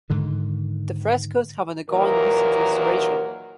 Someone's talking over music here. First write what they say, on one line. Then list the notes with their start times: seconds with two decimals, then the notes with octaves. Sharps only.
The frescoes have undergone recent restoration.
0.10 G#2 D3 D#3
1.89 D#2 A#2 E3 F#3 A#4